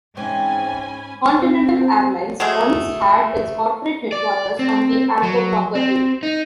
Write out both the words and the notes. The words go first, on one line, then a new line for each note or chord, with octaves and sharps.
Continental Airlines once had its corporate headquarters on the airport property.
G#2 E3 C4 C#4 G#5 B5
C4
F#3 G#3 A3 G#4
D5
C4
F#3
C4
D#4